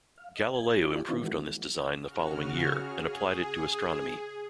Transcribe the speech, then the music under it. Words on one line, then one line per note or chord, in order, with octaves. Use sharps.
Galileo improved on this design the following year and applied it to astronomy.
F5
D#5
G#5
E4 F4 G4 D5
D#3 B3 C4 D4 E4 F4
D#3 E3 G#3 A#3 F#4
C#3 F#4 F6
G#4